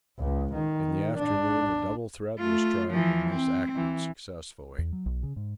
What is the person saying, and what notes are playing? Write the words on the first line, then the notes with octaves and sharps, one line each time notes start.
In the afternoon a double thread was tried, and this acted successfully.
C#2
D#3
D4
A3 F4
E3 F3
C4
E3
E2
F#3
B1
C#3
G#2